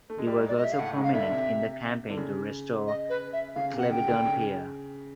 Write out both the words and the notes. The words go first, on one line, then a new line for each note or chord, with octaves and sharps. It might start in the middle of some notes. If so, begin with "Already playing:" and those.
He was also prominent in the campaign to restore Clevedon Pier.
A3
G#3
G3
G#2 G#3
D5
D#5
E5
F5
A2 A3 F#5
G#2 G#3
F5
D2 D3 E5
C3
D3
C#3
D#5
B4
E5
C#3 F5
C3
F#5
C#3 G5
D2 D3
C#3